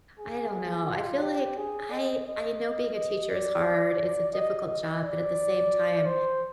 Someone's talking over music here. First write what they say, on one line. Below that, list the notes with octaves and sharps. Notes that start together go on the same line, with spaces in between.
I don't know, I feel like I I know being a teacher is hard, it's a difficult job, but at the same time,
G#4
F4
G4
G#4
D#5
D#5
D#5
D5
D#5
D#5
D5
C5